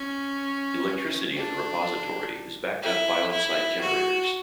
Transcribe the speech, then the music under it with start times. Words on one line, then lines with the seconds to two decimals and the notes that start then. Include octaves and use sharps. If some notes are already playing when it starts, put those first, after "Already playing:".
Electricity at the repository is backed up by on-site generators.
Already playing: C#4
1.35 D4
2.83 E4
3.32 E4
3.81 F#4